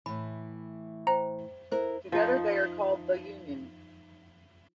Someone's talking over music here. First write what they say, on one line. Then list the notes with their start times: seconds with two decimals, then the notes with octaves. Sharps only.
Together, they are called 'The Union'.
0.06 A2 E3 B5
1.07 C5 G5 A#5
1.72 E4 A#4 C5
2.12 F3 D#4